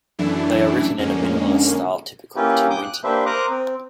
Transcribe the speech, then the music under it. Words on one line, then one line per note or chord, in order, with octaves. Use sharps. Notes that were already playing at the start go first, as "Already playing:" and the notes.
They are written in a minimalist style typical of Tim Winton.
F#2 E3 A3 D4 E4
F2 D3 G#3 A#3 C#4
A#3 C#4 E4 F4 G4 B4
G5 D6 D#6 G6
F#6
A#3 D4 G4 B4 C5 E5
A#4 C5 A#5 D6 D#6 F#6
C4